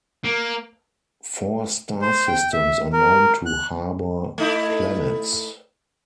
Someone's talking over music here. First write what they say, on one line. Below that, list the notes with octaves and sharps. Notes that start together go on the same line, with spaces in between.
Four star systems are known to harbour planets.
A#3
C5
G5
E5
A#4
F#6
A3 D#4 E4